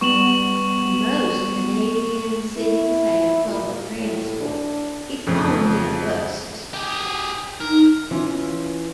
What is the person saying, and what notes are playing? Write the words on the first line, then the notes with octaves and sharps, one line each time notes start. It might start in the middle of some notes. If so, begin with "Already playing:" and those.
Most Canadian cities have public transport, if only a bus system.
G3 B3 C#6 E7 F#7
E4
A#2
A2
D4
F2 C#3 F3 A3
G4 G#4
D#4 A#4
E3 C#4 F4